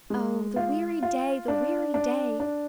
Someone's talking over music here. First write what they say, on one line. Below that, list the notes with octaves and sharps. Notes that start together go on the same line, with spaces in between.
Oh, the weary day! the weary day!
G#3
F4
F4
D4
D4
D4